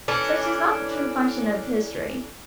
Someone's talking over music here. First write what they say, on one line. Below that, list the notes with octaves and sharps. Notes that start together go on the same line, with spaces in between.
Such is not the true function of history.
E3 C#4 D4 A4